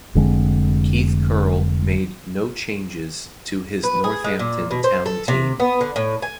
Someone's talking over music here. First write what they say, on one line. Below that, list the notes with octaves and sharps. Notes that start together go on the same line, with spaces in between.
Keith Curle made no changes to his Northampton Town team.
F1 D3 G#3 C4
B4
G#4
G#3
A#2
B2
C5
A4
C3
B3
D3
A2
G#5